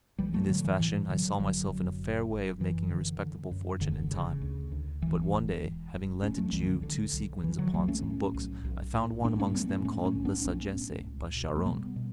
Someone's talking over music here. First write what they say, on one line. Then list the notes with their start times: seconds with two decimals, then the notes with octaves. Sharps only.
In this fashion I saw myself in a fair way of making a respectable fortune in time; but one, day, having lent a Jew two sequins upon some books, I found one amongst them called 'La Sagesse,' by Charron.
0.18 B1 E3 G3
0.34 F#3 A3
0.49 A2 D3 F#3
0.64 E3
0.79 A2 E3
1.09 A2 D3 F#3
1.39 F#1 D3 F#3
1.70 F#2
2.00 F#1
2.30 F#1
2.60 F#2 E3
2.91 D3
3.21 D3
3.51 F#2
3.81 E1 D3
4.11 C#3
4.41 D2
4.72 D2
5.02 E1 E3
5.32 E1
5.62 E1
5.93 E1
6.22 B1 A3 C#4
6.38 F#3 A3
6.53 B1 E3 G3
6.67 D3 F#3
6.83 B1 D3
7.13 B1
7.44 B1 E3
7.59 D3 F#3
7.74 B1 F#3 A3
7.88 A3 C#4
8.04 A2
8.34 B1
8.65 B1
8.94 A2
9.24 A2 B3 D4
9.40 A3 C#4
9.54 A2 G3 B3
9.69 A3 C#4
9.84 A2 A3 C#4
10.05 A3 C#4
10.15 B1
10.25 B3 D4
10.45 B1 A3 C#4
10.76 A2
11.06 C#2
11.36 B2
11.56 A3
11.66 B2 G3 B3
11.96 B2